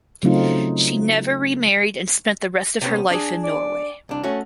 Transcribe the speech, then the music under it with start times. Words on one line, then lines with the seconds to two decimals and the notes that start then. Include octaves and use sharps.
She never remarried and spent the rest of her life in Norway.
0.23 C#3 F#3 A3 C4 D#4 F4
2.82 C3 B3 C#4
3.11 D4 G#4
3.44 D5
4.09 C2 D4
4.24 A3 C#4 F#4